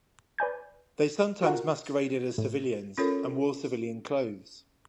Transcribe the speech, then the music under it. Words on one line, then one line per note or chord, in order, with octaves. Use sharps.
They sometimes masqueraded as civilians and wore civilian clothes.
B4 D5 G#5 G6
F4 F#4 A#4 F#5
A2
C#4 F4 A4 A#4 C#5